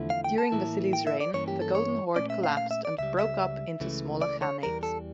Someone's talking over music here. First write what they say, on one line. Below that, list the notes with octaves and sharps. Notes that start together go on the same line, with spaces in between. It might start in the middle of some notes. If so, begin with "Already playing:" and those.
During Vasily's reign the Golden Horde collapsed and broke up into smaller Khanates.
Already playing: E2 D3 F3 A3 E4
F5
G5
A5
A2 E3 A#3 E4
G5
E5
D5
G2 E3 A#3 C#4 C#5
G4
A4
C#5
A#2 A3 C#4 D5
E5
F5
F5
E5
D5
C#2 C#3 G3 E5
E5
C#2 C#3 E3 A3
D5
C#5
E2 E3 G3 A#4
A4